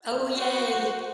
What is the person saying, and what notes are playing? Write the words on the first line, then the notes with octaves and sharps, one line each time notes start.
Oh, yay.
F#4 C5 F#5